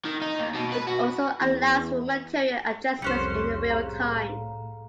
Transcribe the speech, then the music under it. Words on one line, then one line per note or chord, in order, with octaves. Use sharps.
It also allows for material adjustments in a realtime.
D#3
D#4
D#2
B2
B4
F#4
E2
C2 F2 G3 C#4 C5 C#6 F#6 C#7
A2 G#4 F5 A#5